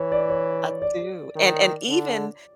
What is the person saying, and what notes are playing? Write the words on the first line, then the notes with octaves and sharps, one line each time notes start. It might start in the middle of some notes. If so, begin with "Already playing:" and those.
I do. And and even
Already playing: E3 C#5
D5
C#5
D5
D#3
D3